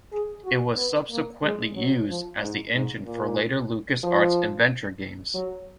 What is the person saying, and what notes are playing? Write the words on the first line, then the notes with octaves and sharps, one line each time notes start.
It was subsequently used as the engine for later LucasArts adventure games.
G#4
F#4
B3
A#3
G#3
F#3
F3
G#2
G#2
A#2
F3
F#3